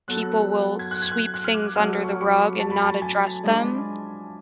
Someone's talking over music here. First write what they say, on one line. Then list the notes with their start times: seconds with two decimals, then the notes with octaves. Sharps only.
people will sweep things under the rug and not address them,
0.08 F#3 B3 F#4 A4 F#6
0.79 G#6
0.91 F#6
1.02 G#6
1.12 F#6
1.34 F#6
1.44 F6
1.54 D6
1.76 F#3 A3 C#4 F6
2.04 C#6
2.11 D6
2.21 C#6
2.31 B5
2.59 A5
2.70 B5
2.82 A5
3.02 G#5
3.43 F3 G#3 D4 G#4